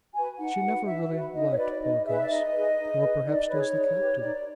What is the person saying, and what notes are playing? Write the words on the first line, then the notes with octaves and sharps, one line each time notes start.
She never really liked poor Guss,--nor perhaps does the Captain.
F#4 B4 G#5
D#4 F#5
F#4 B4
D#4 E5
F#4 B4
D#4 D#5
C#5
F#4 B4 D5
D#4 D#5
G#4 B4 E5
D5
D#4 D#5
G#4 B4
D#4
G#4 B4
D#4 D5
G#4 B4 C#5
D#4
G4 B4
D#4 D5